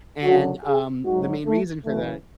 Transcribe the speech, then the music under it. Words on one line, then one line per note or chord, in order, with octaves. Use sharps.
and, um, the main reason for that
F#2 D3 F#3 F#4
G#4
G#2 F#3 F#4
A3
F#2 C#3 E3 A3